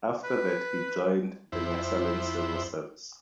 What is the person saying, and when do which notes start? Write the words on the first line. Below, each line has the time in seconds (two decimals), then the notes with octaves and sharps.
After that, he joined the Nyasaland civil service.
0.24 B4
1.52 F2 E4 C5